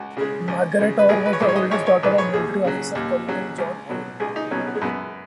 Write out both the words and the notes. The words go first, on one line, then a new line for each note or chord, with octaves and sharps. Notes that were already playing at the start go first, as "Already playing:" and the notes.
Margaret Orr was the oldest daughter of military officer Colonel John Orr.
Already playing: C#2 F#4
C#3 G#3
C#2
C#3 G#3
B4
G#1 G#4
B4
C#5
G#2 D#3 D#5
C#5
D#5
G#1 C#5
C#5
G#2 D#3 B4
C#5
D#2 G#4
C#3 F#3
D#2
C#3 F#3
C#2
B2 F#3
C#2 G#4
D#4
B2 F#3 C#4
B3
G#3
F#2 B3